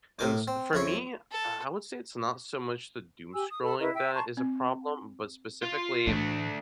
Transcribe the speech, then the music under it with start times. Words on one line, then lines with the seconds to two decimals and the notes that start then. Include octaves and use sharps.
and s for me, uh, I would say it's not so much the doomscrolling that is a problem, but specifically
0.19 A2 A#4 D6
0.48 C4
0.73 F2 E4 C#5
1.31 A4
3.34 G4 G#5 E6
3.49 D#6
3.62 A4 B5
3.80 E4 A#4 B4 D#5
3.94 E5 G5 E6
4.14 A5 A#5 C6 C#6
4.37 C4
5.63 F4
6.07 A2 E3 A3 D4